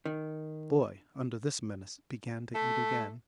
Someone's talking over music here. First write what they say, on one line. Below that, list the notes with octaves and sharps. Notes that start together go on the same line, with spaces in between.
The boy, under this menace, began to eat again.
D#3
A3